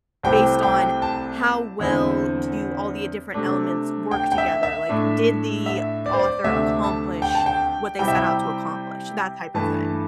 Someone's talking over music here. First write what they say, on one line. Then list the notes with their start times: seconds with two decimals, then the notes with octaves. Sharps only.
based on how well do all the, uh, different elements work together, like, did the author accomplish what they set out to accomplish? That type of thing.
0.23 C2 C3 A3 C4 E4 G5
0.63 G5
1.02 A5
1.79 E2 D3 C4 E4
3.34 C3 A3 D4
4.11 G5
4.32 G5
4.38 E5
4.63 E5
4.89 A2 A3 D4
5.66 E5
6.06 D5
6.13 C5
6.19 D5
6.44 D2 C3 A3 D4 E5
6.84 A5
7.22 G5
7.35 A5
7.46 G5
7.99 C3 G3 E4 G5
8.08 E5
8.15 G5
9.54 G2 E3 A3 A5